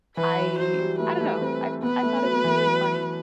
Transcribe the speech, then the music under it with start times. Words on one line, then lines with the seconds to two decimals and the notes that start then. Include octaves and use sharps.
I I don't know, I I thought it was really funny,
0.17 E3 B4
0.38 F#3
0.58 F#3 C5
0.79 G3
0.99 A3 B4
1.16 G3
1.20 A3
1.41 C4
1.82 B3 B4
2.03 A3
2.24 F#3
2.44 E3
2.66 F#3